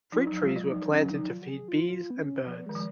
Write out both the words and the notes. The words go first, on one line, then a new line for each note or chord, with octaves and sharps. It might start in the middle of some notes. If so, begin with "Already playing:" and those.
Fruit trees were planted to feed bees and birds.
F3 D#4
F4
F#3 D#4
F#3
G#3 F4
F#3
F3 D#4
D#3
C#4
F#3
F3 D#4
F4
F#4
G#4
F4
F4
B3
C#4
F3 B3
D#3 G#3
F3